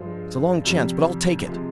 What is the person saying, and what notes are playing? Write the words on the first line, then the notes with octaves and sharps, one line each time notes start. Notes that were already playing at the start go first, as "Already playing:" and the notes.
"It's a long chance, but I'll take it."
Already playing: G2 F3 G#3 C5
F2 C3 G3
C3 F3 G#3